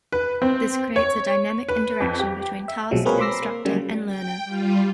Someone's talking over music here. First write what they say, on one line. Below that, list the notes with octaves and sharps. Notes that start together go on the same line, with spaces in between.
This creates a dynamic interaction between task, instructor and learner.
B4
C4
C#5
B4
F2
G4
E5
B1 A2 C3 F3 F#3 G#3
A#3 C4 G#4 A#4 B4 C#5
B5 C6 D6 E6 A#6 C7
A#3
C#3 F#3 G3 A#3
G5
G3 F4